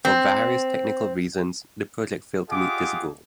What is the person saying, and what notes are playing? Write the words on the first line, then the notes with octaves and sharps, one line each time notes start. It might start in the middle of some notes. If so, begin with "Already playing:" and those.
For various technical reasons the project failed to meet this goal.
C4
F4 G4 G#4 D#5 F#5 D6